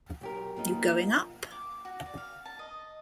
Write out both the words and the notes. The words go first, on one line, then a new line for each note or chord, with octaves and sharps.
You going up?
B1 G4 A#4
F3 A#3 B3 D#4
D6
F#4
D5
F5
A5
D#5